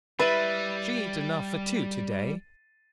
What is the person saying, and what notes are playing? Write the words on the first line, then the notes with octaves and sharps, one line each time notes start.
She eat enough for two to-day.
G3 E4 B4 E5 A6 C7 D#7